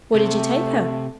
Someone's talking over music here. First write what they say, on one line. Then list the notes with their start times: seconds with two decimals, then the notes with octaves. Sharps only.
'What did you take her?'
0.14 C3 A3